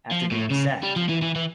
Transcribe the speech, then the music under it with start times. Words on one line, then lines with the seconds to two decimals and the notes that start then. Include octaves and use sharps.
After being sacked, you know.
0.12 F3
0.31 A2
0.50 C#3
0.83 G3
0.96 F3
1.09 E3
1.22 E3
1.35 E3